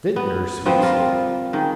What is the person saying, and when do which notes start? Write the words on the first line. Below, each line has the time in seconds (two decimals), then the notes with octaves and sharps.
Vintners' sweepstake.
0.16 B3
0.65 D3 F3 B3 C4
0.83 G3 F4 A#4
1.53 D#3 G#3